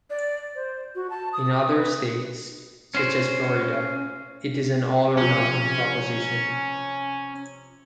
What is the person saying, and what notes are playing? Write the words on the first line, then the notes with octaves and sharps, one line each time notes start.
In other states, such as Florida, it is an all or nothing proposition.
D5
C5
F#4
A5
D#6
B4
C#4 C5
C3 F3 C#4